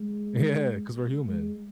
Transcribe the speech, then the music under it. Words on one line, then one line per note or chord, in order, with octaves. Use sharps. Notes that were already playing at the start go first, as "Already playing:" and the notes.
Yeah, 'cause we're human.
Already playing: G#3
G#3